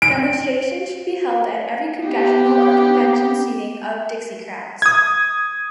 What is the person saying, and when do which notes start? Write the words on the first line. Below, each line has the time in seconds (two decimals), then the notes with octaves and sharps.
Demonstrations should be held at every Congressional or convention seating of Dixiecrats.
0.02 D7
2.05 B3 G4
4.82 D#6 G#6